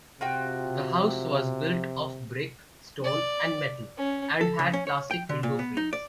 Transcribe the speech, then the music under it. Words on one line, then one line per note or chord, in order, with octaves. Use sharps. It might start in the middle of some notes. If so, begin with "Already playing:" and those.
The house was built of brick, stone and metal, and had plastic window frames.
C3 F4 F#4 G5
D5
C#4
A4
C#3
C#4
C#5
G5
D3
A#2
B3
D#4
D5